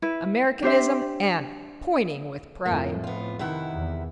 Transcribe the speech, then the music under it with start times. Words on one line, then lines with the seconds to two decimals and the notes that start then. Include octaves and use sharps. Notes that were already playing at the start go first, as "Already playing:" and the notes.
Americanism, and Pointing with Pride.
0.02 E4 B4
0.63 D4 G4 C5 E5
2.65 F2 A2 A#3
3.04 B3 F4
3.39 C3 D#3 E4 F#5
3.75 E2